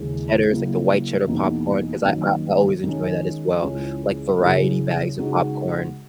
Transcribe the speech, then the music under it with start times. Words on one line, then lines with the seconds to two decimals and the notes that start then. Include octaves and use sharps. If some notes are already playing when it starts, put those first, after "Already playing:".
cheddars, like, the white cheddar popcorn? 'Cause I I I always enjoy that as well, like, variety bags of popcorn,
Already playing: D#2 C#3 E3 G#3
0.50 C#3 F#3 A#3 E4
1.28 E2 B2 A#3 D#4 F#4
2.05 F#2 D#3 A#3
2.84 D#3 G#3 C#4
3.61 C#2 C#3 E3 G#3 C#4
4.41 F#2 C#3 E3
5.18 C#3 G#3 D#4 F#4